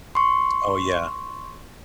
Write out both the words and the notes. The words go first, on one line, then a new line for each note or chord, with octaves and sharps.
Oh, yeah.
C6 C#6